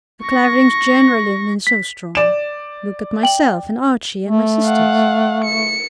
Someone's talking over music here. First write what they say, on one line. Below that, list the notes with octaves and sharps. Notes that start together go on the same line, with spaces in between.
The Claverings generally have been so strong. Look at myself and Archie, and my sisters.
C#6 A#6
B6
D5 E7
G5 F#7
A3
F5 F#5
C#7